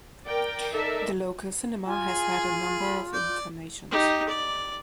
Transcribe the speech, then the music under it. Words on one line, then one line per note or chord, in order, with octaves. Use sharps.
The local cinema has had a number of incarnations.
A#4 D5 G5
D#4 A4 A#4 D5 E5
F4 G#5
G#4
B5
D5 G6
D#4 G4
D5